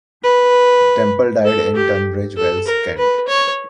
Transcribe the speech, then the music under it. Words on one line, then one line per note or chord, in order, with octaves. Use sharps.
Temple died in Tunbridge Wells, Kent.
B4
A4
G4
A4
A#4
B4
C#5